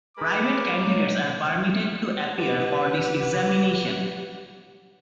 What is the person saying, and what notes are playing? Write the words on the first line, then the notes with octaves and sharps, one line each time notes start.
Private candidates are permitted to appear for this examination.
G#3 A#4 B4 B5 D6
D#4 C#5
G4 B4 F#5